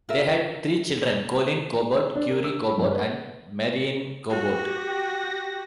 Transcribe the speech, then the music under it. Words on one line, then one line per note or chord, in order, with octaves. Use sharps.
They had three children: Colin Cabot, Currie Cabot, and Marianne Cabot.
F4 A#4 E5
D4
A#4
E6
B5
G2
B4
F#4 G4 A#6